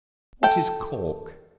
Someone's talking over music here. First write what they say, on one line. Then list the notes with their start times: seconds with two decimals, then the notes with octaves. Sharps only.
What is Cork?
0.43 A4 G5